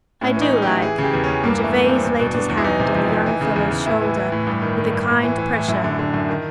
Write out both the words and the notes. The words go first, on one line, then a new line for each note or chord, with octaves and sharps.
"I do like!" and Gervase laid his hand on the young fellow's shoulder with a kind pressure.
A2 C#4
E3 D#4
E3
G4
A2
E3 G#4
C#3 G4
E2
E2 C#4
G2 A#3
E3
A3
E3
C4
G2
E2
B2
B2 D4
E2
E4
E3 D#4
C3
F2
F2
E3
C#3
E2
E2
A2 E4
E3
E3
A2
G2
D#3
D#3
G2
A2
E3
E3
A2
F#2 E4
D3
D3
F#2
D#3